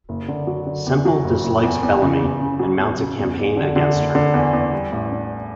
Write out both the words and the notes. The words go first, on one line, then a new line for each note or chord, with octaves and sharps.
Semple dislikes Bellamy and mounts a campaign against her.
F#1
D3
F#3
D3
E2
F#3
F#1
F#1
E2
E2
C#3
E2
C#3
F#3
E2
C#3
E2
E2
D3
D3
F#1
D3
E2
E2
G3
A1
D4